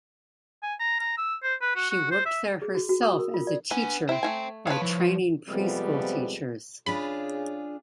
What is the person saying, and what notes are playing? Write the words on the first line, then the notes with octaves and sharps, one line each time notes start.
She worked there herself as a teacher by training pre-school teachers.
G#5
A#5
A#5
E6
C5
B4
F#4
F#4
C5
E5
G#4
F#4
F#4
D#6
A#4
F4
D5
B3 D4 G#5
E4 C5 G5
A3 F#4 G#5
B4 C#5 F5 A5
F3 E4
F2 C3 F3 G3 G#3 B3
C#3 D4 F4 G#4 B5